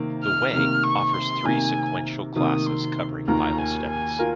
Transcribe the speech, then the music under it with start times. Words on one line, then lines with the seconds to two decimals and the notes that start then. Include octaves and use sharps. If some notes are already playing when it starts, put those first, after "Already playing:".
The Way offers three sequential classes covering bible studies.
Already playing: C3 D#3 A#3
0.23 F6
0.53 C3 D#3 A#3 F6
0.84 C#6
1.14 C6
1.45 C3 D#3 A#3 G#5
2.36 C3 D#3 A#3 D#6
2.67 C6
3.27 D#2 D#3 A#3 F4 A#4 A#5
3.58 G#5
3.89 G#5
4.19 F4 A#4